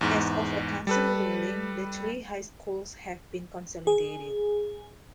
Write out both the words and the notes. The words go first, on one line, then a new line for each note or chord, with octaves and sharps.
As of a council ruling, the three high schools have been consolidated.
E2 G#2
G3 A4 B4
G#4